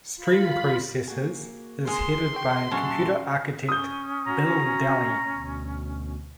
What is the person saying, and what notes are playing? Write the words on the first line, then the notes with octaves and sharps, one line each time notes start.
Stream Processors is headed by computer architect Bill Dally.
F4 B5
A#3 F#4 G#4
G#3 C6
A4 C#5 G5
A#2 F#3 C#4 G#4 E5 F#5 A5
C#4 D#6 G6
F#4 A#5
D2 B2